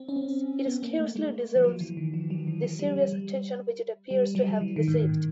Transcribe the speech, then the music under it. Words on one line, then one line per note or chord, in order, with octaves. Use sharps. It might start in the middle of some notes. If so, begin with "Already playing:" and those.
It scarcely deserves the serious attention which it appears to have received.
Already playing: C4
C#4
C4
B3
A#3
A3
G#3
F3
F#3
E3
D#3
F3
F#3
E3
F#3
G3
G3
G3
G3
F#3
G3
F#3
E3
D#3
G#2
A2
A2